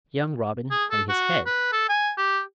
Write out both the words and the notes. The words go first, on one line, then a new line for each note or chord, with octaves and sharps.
Young Robin hung his head.
G#4
A4
F#4
B4
A4
G#5
G4